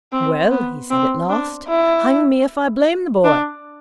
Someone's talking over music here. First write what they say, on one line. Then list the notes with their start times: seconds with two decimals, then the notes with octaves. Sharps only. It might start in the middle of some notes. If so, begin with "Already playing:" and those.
'Well,' he said at last, 'hang me if I blame the boy.
0.12 C4
0.51 B3
0.91 C4
1.29 D4
1.69 E4
3.24 D4